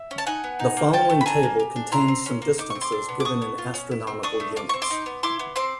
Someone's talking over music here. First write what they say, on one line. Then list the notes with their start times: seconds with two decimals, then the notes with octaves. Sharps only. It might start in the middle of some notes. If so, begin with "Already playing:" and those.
The following table contains some distances given in astronomical units.
Already playing: E5
0.11 C#4
0.18 A5
0.27 D#4 F#5 G#5
0.44 B3
0.59 D#4
0.77 A#3
0.93 C#4 G5 A5
1.10 A3
1.21 B5
1.26 D4 G#5 A#5
1.43 A#3
1.60 G4
1.76 D4
1.92 E4 A#5 C6
2.08 C4
2.26 C#4
2.42 A#3
2.58 D#4 D6
2.70 C#6
2.75 C4
2.81 C6 D6
2.92 D4
3.09 B3
3.20 D6
3.25 D4 C#6 D#6
3.42 B3
3.58 F4
3.74 C#4
3.91 E4
4.07 C4
4.23 D4 C#6 D#6
4.40 A3
4.56 F4 D6
4.69 C4 C#6
4.82 C6 D6
4.90 D#4
5.06 B3
5.23 E4 C6 D6
5.39 B3
5.56 C4 C6 D6